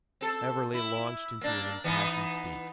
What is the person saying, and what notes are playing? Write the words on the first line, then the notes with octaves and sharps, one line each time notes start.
Everley launched into an impassioned speech.
C4 A4
E4
A#3 D4
E3 B3 D#4